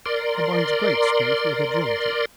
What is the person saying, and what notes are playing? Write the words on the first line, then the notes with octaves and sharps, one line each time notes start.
Combines great strength with agility.
A#4 D5 C6